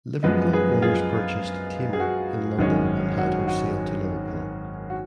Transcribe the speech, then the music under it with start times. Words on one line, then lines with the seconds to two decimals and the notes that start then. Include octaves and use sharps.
Liverpool owners purchased "Tamer" in London and had her sail to Liverpool.
0.23 F#2 F3 G#3 B3 B4 D#5
0.53 G#4 B4
0.82 F4 G#4
1.93 G#4
2.00 F#4
2.58 G#1 F#2 D#3 G#3 C#4
3.18 F#4
3.47 F#4
4.90 F#4